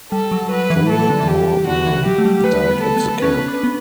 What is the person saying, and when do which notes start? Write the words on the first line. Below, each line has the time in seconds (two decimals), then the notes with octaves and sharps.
Three more men died at the camp.
0.12 G3 A4
0.31 F#3
0.51 F#3 B4
0.70 E3
0.89 F#3 A4
0.99 E3
1.10 D3
1.20 E3
1.28 G4
1.67 D3 F#4
1.86 E3
2.06 F#3 G4
2.18 A3
2.25 G3
2.44 A3 B4
2.71 B3
2.83 A4
2.97 B3
3.22 C#4 B4
3.48 D4
3.63 B3